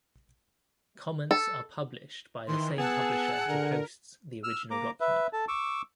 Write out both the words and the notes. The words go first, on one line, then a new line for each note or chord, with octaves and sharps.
Comments are published by the same publisher who hosts the original document.
A4
D#3 E3 C6
B3 G#4 F#5 A5 E6 F#6
D3 A#4
E6 F6
A#3 A#5 D6
B4 E5
A4 A5
C#6 D6 E6